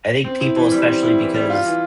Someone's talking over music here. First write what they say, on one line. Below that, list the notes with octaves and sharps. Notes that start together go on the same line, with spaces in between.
I think people, especially because
C4
E4
E3
G3
C4
E4
E3
G3
F4
E3